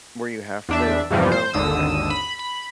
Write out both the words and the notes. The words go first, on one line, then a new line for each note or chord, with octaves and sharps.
Where you have to No? Okay.
E2 D4 E5
F2 G#2 C3 E3 F3 G3
C5
G#1 D#2 D3 D#6 E6
B5
B5